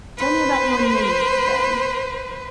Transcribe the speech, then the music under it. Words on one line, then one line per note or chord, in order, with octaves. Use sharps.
"Tell me about your ninnies, then."
B4 C5